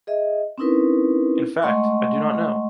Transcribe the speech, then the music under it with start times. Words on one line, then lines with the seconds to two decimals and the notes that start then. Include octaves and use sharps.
In fact ,I do not know.
0.07 G#4 D#5 E5
0.58 C4 C#4 D#4 E4 A#4 B4
1.62 G#3 A3 D#5 F#5 C6 C#6